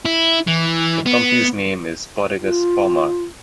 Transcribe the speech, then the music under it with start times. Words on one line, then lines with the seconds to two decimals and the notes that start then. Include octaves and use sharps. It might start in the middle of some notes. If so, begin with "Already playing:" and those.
The company's name is Bodegas Pomar.
0.05 E4
0.47 E3
1.06 B3
2.41 F4